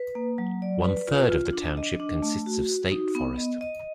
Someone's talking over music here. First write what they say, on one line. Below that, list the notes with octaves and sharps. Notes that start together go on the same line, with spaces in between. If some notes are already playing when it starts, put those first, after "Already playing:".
One-third of the township consists of State Forest.
Already playing: B4
A#3
F#3
D5
B4
F4
F4
D4
D#5
D4
A3
F#4
F#4
D#4
B3
D#5
D#5